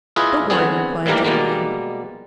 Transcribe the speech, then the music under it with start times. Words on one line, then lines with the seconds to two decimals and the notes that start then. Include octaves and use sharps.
"Don't worry," replied Jenny Wren.
0.16 E4 F4 G#4 B4 D#5
0.50 D3 B3 C4 G#4
1.06 A2 D#3 E3 G3 A#3 A#4
1.24 B2 G3 G#3 A#3